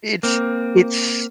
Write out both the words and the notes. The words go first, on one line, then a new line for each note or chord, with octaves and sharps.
It's it's
A#3 C4